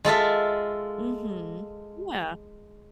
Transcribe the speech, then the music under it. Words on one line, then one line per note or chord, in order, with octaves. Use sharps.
Mhm. Yeah.
G#3 F4 A4 E5